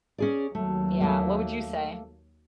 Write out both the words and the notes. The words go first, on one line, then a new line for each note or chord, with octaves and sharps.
Yeah, what would you say?
C#4 G#4 D5
D#2 F#3 A3
A3 A#3